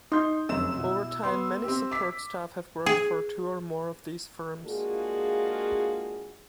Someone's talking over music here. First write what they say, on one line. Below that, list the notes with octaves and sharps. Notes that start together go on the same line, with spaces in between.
Over time many support staff have worked for two or more of these firms.
D#4 C6 G6
F1 F#2 E6 E7
B2 E4
B3 C6
C4 G4
D6 B6
G#4
G#3 A#3 D4 F4 F#4 G#4